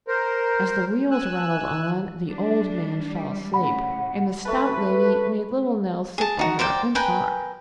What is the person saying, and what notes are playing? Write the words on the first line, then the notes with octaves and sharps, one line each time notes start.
As the wheels rattled on the old man fell asleep, and the stout lady made little Nell sit by her and talk.
A#4 C5
G#5 E6 F#6
G3 D4
G3
A2 C#3 F#5 B5
A3 B4 A5
G#4 A5
D#4 F#4
A#4 C5 D5 G5
A#4 B4 G5 G#5